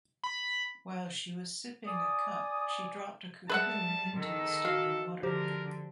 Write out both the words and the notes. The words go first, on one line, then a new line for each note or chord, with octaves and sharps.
While she was sipping a cup, she dropped a cocoon into the steaming water.
B5
D5 G#5 D6 D#6
G3 G#4 B4 E5 F#5 A5
D#3 A4
F#4 F5
D3 F3 G4 A#4 C5